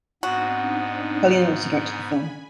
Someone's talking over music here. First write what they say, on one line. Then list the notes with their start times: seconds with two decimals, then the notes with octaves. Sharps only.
Carlino also directed the film.
0.23 G#2 B3 C4 D4 D#4 F#4
1.67 G#5 B5